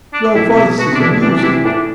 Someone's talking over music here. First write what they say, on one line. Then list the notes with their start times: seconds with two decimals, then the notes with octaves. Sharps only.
"Your voice is music."
0.13 D4
0.35 A2 E4
0.49 C3
0.56 B2 E4
0.78 B2 F#4
0.92 C3 D4
1.00 B2 D3 E4
1.21 C3 E3 D4
1.36 D4
1.43 C3 E3 E4
1.65 A2 D4